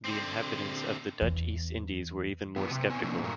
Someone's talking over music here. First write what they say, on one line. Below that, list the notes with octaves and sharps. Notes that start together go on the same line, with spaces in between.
The inhabitants of the Dutch East Indies were even more skeptical.
D3 C4
E2 E3
F#2 B3
C3
B3 C4 G#5
D3 F3 F#3 A#3 C4 D4
G2 A#2 A3 A#4